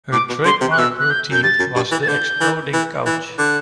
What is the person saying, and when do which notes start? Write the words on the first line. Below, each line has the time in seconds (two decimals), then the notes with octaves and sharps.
Her trademark routine was "the exploding couch".
0.12 A2 D6
0.29 B2
0.45 D3 C6
0.61 C3
0.72 F#6
0.78 B2 E6
0.99 F#6
1.10 G6
1.31 F#2 G6
1.43 G2 A6
1.59 F#2
1.76 G2
1.92 E3
2.03 A6
2.08 D3 G6
2.41 E3
2.73 E3
3.06 E3
3.38 D3 F#6